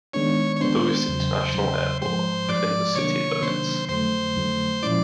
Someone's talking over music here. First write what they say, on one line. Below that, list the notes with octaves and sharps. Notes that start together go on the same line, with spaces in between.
Louis International Airport are within the city limits.
D#3 G#3 B3 D4 C#5
C#5
D#3 G#3 B3 D4 C5
E2 C#3 F#3
E2 C#3 F#3
G#2 F3 G#3 C5
G#2 F3 G#3 D5
C3 D#3 F#3 A#3 D4 C#5
C3 D#3 F#3 A#3 D4 C5
F2 D3 F#3 A3 C5
F2 D3 F#3 A3
A#2 F3 G#3 C#4 E4 D5